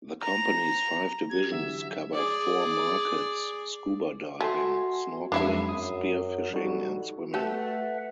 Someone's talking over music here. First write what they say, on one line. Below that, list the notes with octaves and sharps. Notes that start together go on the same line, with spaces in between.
The company's five divisions cover four markets-scuba diving, snorkeling, spearfishing and swimming.
A#5
G4 G#6
D3 E3 F#3 E5
G#4 D5
A3 F#4 G#5 C6
F2 G#3 D4 E4 E5 C7
F#2 D#6
G3 D#4 F#4 A4
A3 G4 A4 B4 E5 F#5